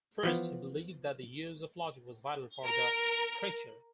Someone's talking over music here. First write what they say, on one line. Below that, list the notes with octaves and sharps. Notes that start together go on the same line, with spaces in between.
First, he believed that the use of logic was vital for the preacher.
E3 F3 B3
A#4